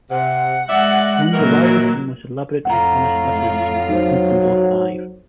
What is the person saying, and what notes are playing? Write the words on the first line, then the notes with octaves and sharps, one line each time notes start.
Only the largest and most elaborate iconostases include all five.
C3 F#5
G#3 D5 E5 F#6
A#2 D#3 E3 F#3 A#4
F2 A2 F4 F#5 A#5
F#3 D#4 C5